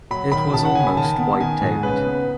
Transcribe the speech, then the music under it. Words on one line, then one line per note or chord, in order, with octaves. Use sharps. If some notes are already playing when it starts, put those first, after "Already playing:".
It was almost wiped out.
F#3 B5
D#3 B5
C#3 A5
F#5
C#4 G#5
B5
D#3 A5
B3
D#3 G#5
G#2
C#3 B4
B3